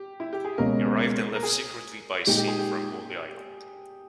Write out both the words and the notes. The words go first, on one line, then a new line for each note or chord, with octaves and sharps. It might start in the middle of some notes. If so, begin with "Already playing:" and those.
He arrived and left secretly by sea from Holy Island.
Already playing: G4
E4
G4
G#4
C#2 B2 A#3 C#4 A#4
A#4
G#4
A#2 G#3 D#4 G4
G4
G#4
G4